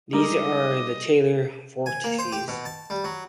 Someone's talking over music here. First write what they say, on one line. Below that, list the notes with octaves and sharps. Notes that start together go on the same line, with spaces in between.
These are the Taylor vortices.
G3 G#3 D#4 A#4 D#5 D6
G#5
A#3
C5
G4
B2
A5
G3
F#3